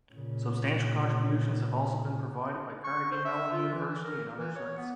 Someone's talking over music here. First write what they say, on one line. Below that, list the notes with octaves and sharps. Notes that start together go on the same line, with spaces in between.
Substantial contributions have also been provided by Carnegie Mellon University and other sites.
A#2 C#3
C#6
C5
E5
F4
E3
A#4
E3
C#5
B3